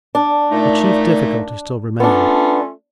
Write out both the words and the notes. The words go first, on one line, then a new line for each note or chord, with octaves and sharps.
The chief difficulty still remained.
D4
A#2 A3 D#4
A3 B3 C#4 D4 F4